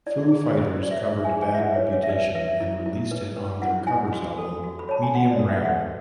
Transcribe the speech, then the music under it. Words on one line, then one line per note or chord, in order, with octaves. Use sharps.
Foo Fighters covered "Bad Reputation" and released it on their covers album, "Medium Rare".
E4 D5
D5
G#4
E4
B4 D5
E5
D5
E4 E5
G#5
G#4
G#5
E5
E4 F#5
C#5
B4
C#5
E5
B4 D5
B4 E5
E4
E4
B4
B4
E4 F#5
E4 G#5
F#4
A4
F#4
B5
C#5 A5
G#5
F#4 F#5
D5
A4
E5
F#4 F#5